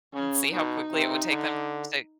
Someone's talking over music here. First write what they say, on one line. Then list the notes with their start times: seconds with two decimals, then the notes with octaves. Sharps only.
and see how quickly it would take them to say
0.14 C#3 C#4
0.53 B2 D#4
0.92 C3
1.31 D3